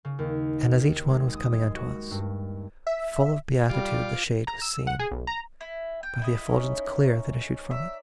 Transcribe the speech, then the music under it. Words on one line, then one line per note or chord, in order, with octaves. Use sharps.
And as each one was coming unto us, Full of beatitude the shade was seen, By the effulgence clear that issued from it.
C#3
D#2
G#3
D#6
G#3
F#4
G2
E5
G3 F4 G4 D6
A#5
E6
F#5
G#4
B1
A#5
E4
G5
E4 D#5
C#4 D#4
D5 E5